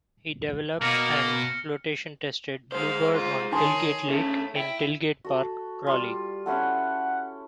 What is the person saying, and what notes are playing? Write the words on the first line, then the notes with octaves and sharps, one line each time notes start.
He developed and flotation-tested Blue Bird on Tilgate Lake, in Tilgate Park, Crawley.
B2 A#3 F6 A#6 C#7
G#3 G#4 C5 F5
F4
D#3 D#4 G#4 C#5 G#5 C6
C3 A3 C#4
E4 G5
F#4 A4
G3 F4
C#4 E4 A4 F#5